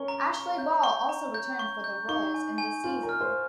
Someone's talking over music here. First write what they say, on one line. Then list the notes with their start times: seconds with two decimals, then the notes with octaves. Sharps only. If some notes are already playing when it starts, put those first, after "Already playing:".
Ashleigh Ball also returned for the roles in this season.
Already playing: C#4 A#4 C#6
0.08 A#5
0.34 C#6
0.58 G6
0.84 C#6
1.09 A#5
1.34 G6
1.59 C#6
1.84 G6
2.08 D#4 C#6
2.34 G#5
2.58 G#5
2.84 F4 G#5
3.03 A#4
3.09 F6
3.21 C5